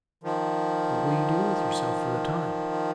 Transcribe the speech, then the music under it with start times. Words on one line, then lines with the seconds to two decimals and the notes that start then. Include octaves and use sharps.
"What will you do with yourself for the time?"
0.24 D#3 F3